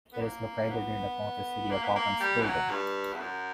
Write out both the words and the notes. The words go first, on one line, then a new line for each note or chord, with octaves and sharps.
It is located near the Ponte City Apartments building.
B3
A#3
B3
A#3
B3
A#3
G3
E3
F#3
G2
E2
F#2